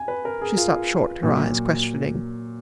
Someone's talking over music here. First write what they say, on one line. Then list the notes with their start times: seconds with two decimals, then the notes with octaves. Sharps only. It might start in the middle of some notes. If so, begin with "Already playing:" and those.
She stopped short, her eyes questioning.
Already playing: G#5
0.08 B4
0.25 A#4
0.42 G#4
0.57 F4
1.23 A#2 F#3